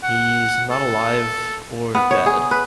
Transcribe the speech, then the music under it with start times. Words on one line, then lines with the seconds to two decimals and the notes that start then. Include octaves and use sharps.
He's not alive or dead.
0.03 F#5
0.71 A4
1.95 B3
2.11 C#5
2.26 G#4
2.51 B4